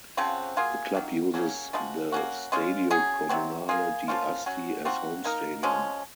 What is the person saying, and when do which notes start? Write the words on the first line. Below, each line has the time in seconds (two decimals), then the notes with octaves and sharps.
The club uses the Stadio Comunale di Asti as home stadium.
0.17 C#3 F3 C4 F#4
0.56 F#3 A#3 F4 G#4
0.95 D#3 F#3 A#3
1.34 C#3 F#3 A#3 C#4
1.73 F3 G#3 D#4 F#4
2.12 A#3 C#4 F#4
2.52 G#3 C#4 F4
2.91 F#3 C#4 G#4
3.29 C3 F#3 C4
3.69 A#3 F4 G#4
4.08 F3 A#3 C#4 F4
4.46 F#3 C#4 F#4
4.85 F3 C4 D#4 F#4
5.24 A#3 D#4 A#4
5.63 F3 G#3 C#4